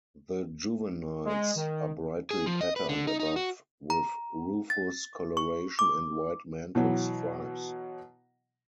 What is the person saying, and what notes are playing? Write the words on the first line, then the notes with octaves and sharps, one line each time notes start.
The juveniles are brightly patterned above with rufous colouration and white mantle stripes.
G#3
D#3
G#4
F3
D#5
B4
D3
D#4
D#4
F#4
A#5
A6
C#6
D6
B2 E3 F#3